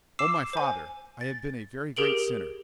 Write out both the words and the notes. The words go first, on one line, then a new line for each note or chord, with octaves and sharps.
"O my father, I have been a very great sinner!"
D6 E6 C7 E7
C5 G#5
A6
G4 G#4 A#4 D7 F#7